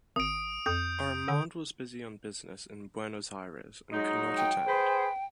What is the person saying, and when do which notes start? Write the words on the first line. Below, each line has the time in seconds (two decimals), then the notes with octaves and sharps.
Armand was busy on business in Buenos Aires and could not attend.
0.16 G#1 D#6 D7
0.66 F2 D#6 G6
1.28 D3
3.93 F#3 G#3 D#4
4.37 G5
4.67 G#4 B4 C5